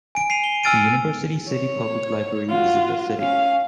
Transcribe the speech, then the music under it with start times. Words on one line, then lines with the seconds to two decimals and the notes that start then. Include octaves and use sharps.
The Universal City Public Library is in the city.
0.15 G#5 D7
0.30 C7 D#7 F7
0.44 G7
0.64 G#5 E6 F6 A6 D7 D#7
0.75 C#7
1.48 C#5
2.49 F4 F#4
3.18 C#4 F5